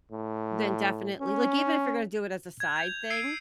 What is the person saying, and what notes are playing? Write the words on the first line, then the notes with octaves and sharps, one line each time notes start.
then definitely like, even if you're gonna do it as a side thing,
A2
C#4
G#6
G6 F7
E6 G#6 C7 D7 D#7